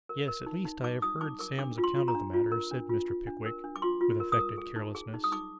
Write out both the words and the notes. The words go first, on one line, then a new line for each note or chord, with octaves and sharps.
'Yes; at least I have heard Sam's account of the matter,' said Mr. Pickwick, with affected carelessness.
A#4
A#4
D#4
D#4
D#4 D6
D#4 D#6
D#4 D6
A#4 D6
D4 D6
F4
C6
F4
A#5
D4
F4
A#4
D4
F4
F4
D4
A#4
D4
D6
F4 C6
F4
A#4
D#6
A#4
G#4
D#4
G#4
D#4
D#6
D#4 D6